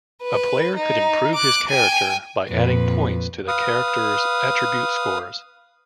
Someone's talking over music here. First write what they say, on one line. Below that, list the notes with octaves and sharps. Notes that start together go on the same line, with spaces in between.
A player could improve his character by adding points to the character's attribute scores.
B4
D#4
D6 F#6
G5 G#5
F2 A#2 B4
B4 F5 D#6